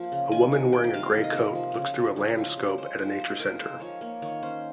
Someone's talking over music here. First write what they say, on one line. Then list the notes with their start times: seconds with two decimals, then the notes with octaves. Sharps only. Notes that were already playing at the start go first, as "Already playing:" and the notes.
A woman wearing a gray coat looks through a Landscope at a nature center.
Already playing: F3 A#3
0.12 C#3
0.31 D#3 G#5
0.52 C3 G#5
0.73 A#3 G5
0.84 G5
0.93 C3 F5
1.15 D#3
1.24 D#5
1.34 C3
1.55 F3
1.75 C#3
1.97 G#3
2.16 C#3 C#5
2.38 F3
2.57 C#3
2.78 G#3 C5
2.98 F3 C5
3.19 D#4 C5
3.39 F3 A#4
3.61 G#3 C5
3.80 F3 C#5
4.01 A#3 C#5
4.22 D#3 C#5
4.42 C#4 C5